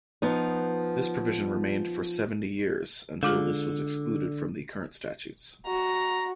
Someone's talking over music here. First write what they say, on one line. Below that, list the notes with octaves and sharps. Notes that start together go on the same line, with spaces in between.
This provision remained for seventy years, until this was excluded from the current statutes.
F3 B3 D#4
D3 G#3 F4 G#4
F#4 A#5